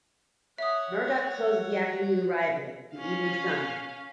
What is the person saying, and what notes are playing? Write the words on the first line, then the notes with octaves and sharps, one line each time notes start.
Murdoch closed the afternoon rival "The Evening Sun".
C#5 E5 F#5 D#6
C#4 F5